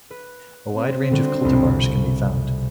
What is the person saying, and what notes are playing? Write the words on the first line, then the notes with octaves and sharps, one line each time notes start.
A wide range of cultivars can be found.
B4
C4
D3 G3 F#4
F1 C2 B2